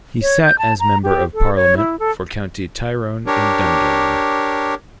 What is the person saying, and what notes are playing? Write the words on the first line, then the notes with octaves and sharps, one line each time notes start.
He sat as Member of Parliament for County Tyrone and Dungannon.
C#5
G6
A5
A#5
G4
A4
C#5
E4
A4
D4 G4 A#4 C#5